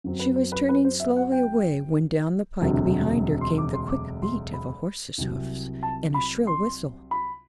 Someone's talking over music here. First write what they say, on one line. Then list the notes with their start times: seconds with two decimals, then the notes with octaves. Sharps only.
She was turning slowly away when down the pike behind her came the quick beat of a horse's hoofs and a shrill whistle.
0.04 F#2 F#3 C4
0.19 B4
0.36 C5
0.52 B4
0.69 B4
0.85 C5
1.00 E5
1.16 F#5
1.32 G5
2.61 E1 D2 C3 F#3
3.41 C6
3.58 D6
3.73 C6
3.90 D6
4.22 C6
4.53 B5
5.18 C2 C3 F#3
5.83 A5
6.14 B5
6.47 C6
7.11 B5